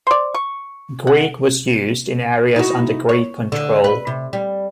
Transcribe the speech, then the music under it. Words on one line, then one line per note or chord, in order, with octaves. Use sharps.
Greek was used in areas under Greek control.
C5 D5
C#6
F#5
D#4 E4 F#4
C#5
D3
B4
C3
G3